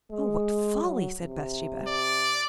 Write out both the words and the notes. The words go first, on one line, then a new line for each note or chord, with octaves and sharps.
"Oh, what folly!" said Bathsheba.
G#3
F#3
C3
D5